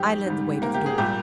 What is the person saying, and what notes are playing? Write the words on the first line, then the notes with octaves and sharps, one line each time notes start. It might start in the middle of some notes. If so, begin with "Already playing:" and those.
I led the way to the door.
Already playing: F2 D#3 G3 G4
G#2 G3
A#3 A#4
G4
G#4
A#2 G3 G4